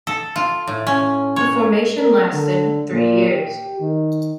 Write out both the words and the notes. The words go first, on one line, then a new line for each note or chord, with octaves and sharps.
The formation lasted three years.
A4
F4
A2
C#4
C#5
A#4
D3
A#2
G4
D#3